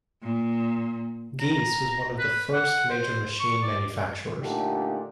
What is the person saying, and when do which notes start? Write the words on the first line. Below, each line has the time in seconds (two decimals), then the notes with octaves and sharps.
Giesse was one of the first major machine manufacturers.
0.22 A#2
1.40 A#5
2.19 B4
2.53 F#5
2.90 C5
3.40 C#6
3.62 D5
4.42 A#2 D3 A3 D4 D#4 G4